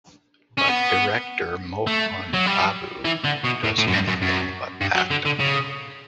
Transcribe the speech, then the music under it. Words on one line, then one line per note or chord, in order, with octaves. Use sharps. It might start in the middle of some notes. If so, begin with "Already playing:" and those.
But director Mohan Babu does anything but that.
C#4
B3
A3
F#3
G3
E3
D3
B2
A2
A2
F#2
G2
F#2
F#2
G2
F#3
D3
D3
C#3